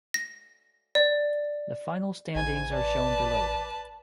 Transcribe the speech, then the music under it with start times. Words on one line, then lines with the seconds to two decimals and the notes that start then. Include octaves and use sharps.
The final standings are shown below.
0.14 A#6
0.95 D5
2.35 A1 G#2 G#5
2.72 B4 D5 A5